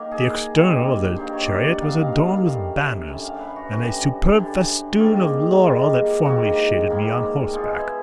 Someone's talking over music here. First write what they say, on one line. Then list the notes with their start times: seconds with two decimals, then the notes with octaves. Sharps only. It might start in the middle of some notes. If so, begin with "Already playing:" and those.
The external of the chariot was adorned with banners, and a superb festoon of laurel that formerly shaded me on horseback.
Already playing: D#3 A#3
0.12 G#4
0.54 G2 D#3 G3 A#3
1.17 G2 D#3 G3 A#3 C5
1.33 C#5
1.49 D5
1.66 F#5
1.80 G2 D#3 G3 A#3 F5
1.96 F5
2.12 F5
2.29 F5
2.45 F#2 D3 G3
3.08 F#2 D3 G3 E5
3.24 F5
3.40 B4
3.56 F#4
3.72 F#2 D3 G3 F#4
4.35 F#2 D3 G3
4.99 G#2 D#3 G3 A#3 F4
5.63 G#2 D#3 G3 A#3
6.25 G#2 D#3 G3 A#3 F#4
6.90 G#2 D#3 G3 A#3
7.53 B2 G#3 F4
7.74 E4